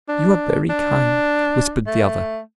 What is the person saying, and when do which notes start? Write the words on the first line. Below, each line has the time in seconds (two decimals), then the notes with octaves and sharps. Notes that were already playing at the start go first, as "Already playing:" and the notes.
"You are very kind," whispered the other.
0.08 D4
0.70 D4
1.87 A3